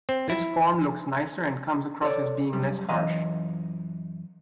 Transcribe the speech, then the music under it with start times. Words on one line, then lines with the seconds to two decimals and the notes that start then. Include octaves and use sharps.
This form looks nicer and comes across as being less harsh.
0.09 C4
0.30 E4
2.03 A4 C#5 D5
2.53 F#2 G3
2.89 F#2 E3 D#5 F5